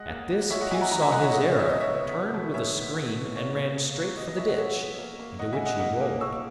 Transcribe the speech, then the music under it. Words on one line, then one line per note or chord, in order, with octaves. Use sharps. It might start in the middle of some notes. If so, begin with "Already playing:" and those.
At this Pew saw his error, turned with a scream, and ran straight for the ditch, into which he rolled.
Already playing: G#3 D#5 F#5
A#3
A#2
G#3 C#5 E5
D#5 F#5
A#2 E5 G#5
F#5 A#5
D#3 F#5 A#5
E5 G#5
G#3 D#5 F#5
C#5 E5
G#3 D#5
C#5
B3
E5
C#3 D#5
C#5 E5
B3
B2
B2
B3 C#5 E5
D#3
B3
B3
A#3 C#5
A#3
B3
A#2
B3 D#5
D#5
B2 C#5 E5
D#5 F#5
B3 C#5 E5
B3
A#3
A#3
D#3 D#5 F#5
E5 G#5
G#3
D#5 F#5
A#3 D#5 F#5
A#3
B2 C#6 E6